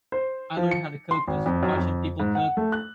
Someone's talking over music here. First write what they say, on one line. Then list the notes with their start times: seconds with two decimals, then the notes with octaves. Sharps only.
I learned how to cook- just watching people cook
0.12 C5
0.57 F3
0.71 C#7
1.11 C6
1.28 G#1
1.46 F2
1.63 F#2
1.77 F2
2.20 G#2
2.35 F#5
2.57 A3
2.72 F#6